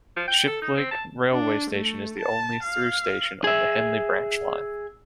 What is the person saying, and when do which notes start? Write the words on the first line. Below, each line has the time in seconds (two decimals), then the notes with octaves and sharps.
Shiplake railway station is the only through station on the Henley Branch Line.
0.16 F3
0.28 G5
0.47 A4
0.62 D#4
0.77 C4
0.91 A5
1.31 D4
1.71 A3
2.19 A5
2.63 F5
3.44 G#4 E5